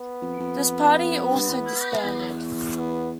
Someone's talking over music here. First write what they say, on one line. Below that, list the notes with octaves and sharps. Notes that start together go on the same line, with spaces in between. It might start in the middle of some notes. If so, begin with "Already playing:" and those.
This party also disbanded.
Already playing: B3
F2
F2
F2
G2
E2
E2
B3